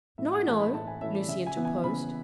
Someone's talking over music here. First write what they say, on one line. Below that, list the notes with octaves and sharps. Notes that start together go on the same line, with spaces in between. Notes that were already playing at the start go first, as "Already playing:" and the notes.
"No, no," Lucy interposed.
A2 E5
F#5
E3 A3 C#4 A5
B5
A2 A5
G#5
E3 A3 C#4 E5
D5
C#3 E5
G#5
E3 B3
G#5
C#3 B5